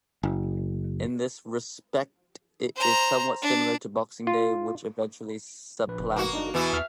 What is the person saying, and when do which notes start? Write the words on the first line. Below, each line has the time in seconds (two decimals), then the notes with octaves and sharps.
In this respect it is somewhat similar to Boxing Day, which eventually supplanted it.
0.23 F#1
2.76 C5 A#5
3.42 D4
4.27 F4
5.87 A#1 B4
5.99 F#1
6.16 A#3 F#4
6.33 D4 D#4
6.54 E2 B2 E3 E4
6.73 E2 E5 F6